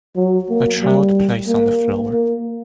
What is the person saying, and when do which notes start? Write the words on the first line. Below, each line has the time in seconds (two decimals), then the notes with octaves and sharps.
A child plays on the floor.
0.16 F#3
0.50 A#3
0.82 G3
1.47 A#3
2.12 A#3